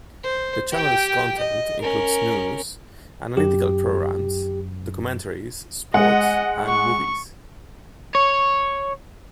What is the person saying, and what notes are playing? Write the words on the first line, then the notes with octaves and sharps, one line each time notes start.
The channel's content includes news, analytical programs, documentaries, sport and movies.
C5
G4 G5
D#5
C#4 A#4
F#2 G4
G#3 D#5 F#5
C#6
C#5